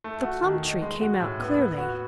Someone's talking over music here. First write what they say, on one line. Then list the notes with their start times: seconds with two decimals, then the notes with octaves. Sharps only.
The plum tree came out clearly.
0.04 A3
0.23 F#4
0.42 D#3
0.63 D#4
0.82 G#3
1.01 F#4
1.20 A2
1.40 B3
1.58 B3
1.78 F#4